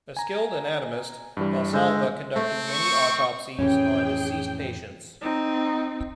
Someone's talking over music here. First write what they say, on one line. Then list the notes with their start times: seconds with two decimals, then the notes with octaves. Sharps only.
A skilled anatomist, Valsalva conducted many autopsies on deceased patients.
0.17 G#5 A#5
1.37 G2 E3 G3
1.73 D3 G#3 E6 G6
2.36 A3 C4
2.71 C#6
3.59 F2 A2 E3 C#4 G#4 G5
5.21 C4 D#4